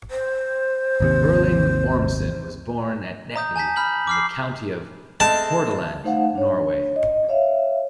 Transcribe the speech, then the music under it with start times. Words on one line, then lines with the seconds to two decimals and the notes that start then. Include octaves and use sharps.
Erling Ormsson was born at Etne in the county of Hordaland, Norway.
0.11 C5
1.00 G#1 D#2 C3
3.36 A#5 D#6 G6
3.56 G#5 A5 G6 B6
3.76 B5 F6 G6 F#7
4.07 D6 F6 C7
5.20 G#3 A3 C4 A5
6.04 A3 D#4 C5 F5 F#5
6.35 D4 C#5
6.96 D#5
7.29 C#5 E5 F5